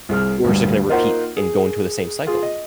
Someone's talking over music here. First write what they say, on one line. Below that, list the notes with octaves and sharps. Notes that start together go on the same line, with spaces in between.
or it's ju gonna repeat and go into the same cycle.
C2 G#4 F6
D2 G2
A#3 D#4 F4 A#4 C5 F#5
G#4
F4 G#4
D#5